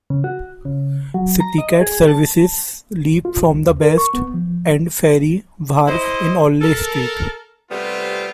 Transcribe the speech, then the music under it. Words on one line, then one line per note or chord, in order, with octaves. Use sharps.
CityCat services leave from the West End ferry wharf in Orleigh Street.
C#3
F#4
C#3
F#3
A#5
D#5
G#4
A5
F4
C2
D#2
A#4
C#6
B3
F3
E4 C5 D#5
A4 A#4
C3 G3 A3 B3 C4 F4